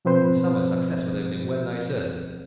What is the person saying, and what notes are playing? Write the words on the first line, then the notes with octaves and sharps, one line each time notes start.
In summer, success would have been well-nigh certain.
B2 F3 C4 B4 C5